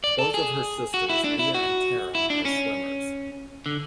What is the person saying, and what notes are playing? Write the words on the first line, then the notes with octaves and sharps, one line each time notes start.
Both of her sisters, Leah and Taryn, are swimmers.
D5
A4
G#4
F#4
E4
D4
E4
F#4
E4
D4
C#4
D3